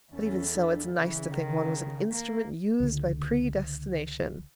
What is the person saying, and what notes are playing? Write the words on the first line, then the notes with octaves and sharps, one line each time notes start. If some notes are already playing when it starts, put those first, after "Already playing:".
But even so, it's nice to think one was an instrument used by predestination.
E2 C#4 A4
D4
C#3 E3
D#3
A#3
C#2 D3